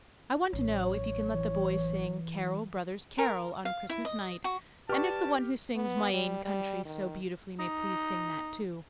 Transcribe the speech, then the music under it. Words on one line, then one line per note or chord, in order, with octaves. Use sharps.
I want to know if you can let the boys sing 'Carol, brothers, carol,' on Christmas night, and if the one who sings 'My ain countree' so beautifully may please sing that too.
A1 F#3 C#5
E3
A#4
F5
E4
D#5
F#4
G4 B4 D5 A5 C#6 F6
B3
G3
G3
D#3
D#4